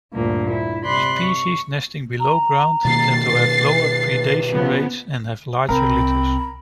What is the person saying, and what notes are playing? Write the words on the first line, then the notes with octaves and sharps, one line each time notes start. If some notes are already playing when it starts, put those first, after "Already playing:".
Species nesting below ground tend to have lower predation rates and have larger litters.
D2 G2 A#2 A#3
E4
C3 D5 B5 C6 F#6
C#6
A#5
B2 D#3 A#3 A6 C7
B4
C#3 F3 B3
C2 C4 A#4 B5